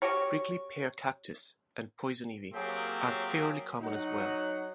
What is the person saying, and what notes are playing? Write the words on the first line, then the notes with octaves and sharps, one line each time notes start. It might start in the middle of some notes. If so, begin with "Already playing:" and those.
Prickly pear cactus and poison ivy are fairly common as well.
C#4 F#4 G4 C#5
F#3 A#3 C4 G4 G#4
F#3 D#4 F#5